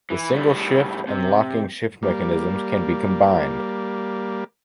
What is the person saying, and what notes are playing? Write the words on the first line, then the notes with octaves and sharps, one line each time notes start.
The single shift and locking shift mechanisms can be combined.
E3
A2 G3
C3
G3 A#3